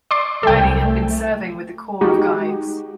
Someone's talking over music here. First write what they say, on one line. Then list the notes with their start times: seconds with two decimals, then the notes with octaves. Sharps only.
Wylly had been serving with the Corps of Guides.
0.11 D5 C6 D6
0.43 C2 A4 G5
0.84 A3
2.01 G#3 D#4 F#4 G4